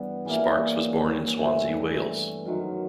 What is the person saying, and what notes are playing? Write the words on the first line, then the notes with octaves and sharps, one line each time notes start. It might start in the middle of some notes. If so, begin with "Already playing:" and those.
Sparkes was born in Swansea, Wales.
Already playing: G2 E3 G3 B3
C#3 E3 G3 A#3
G2 E3 A3
F#2 D#3 F#3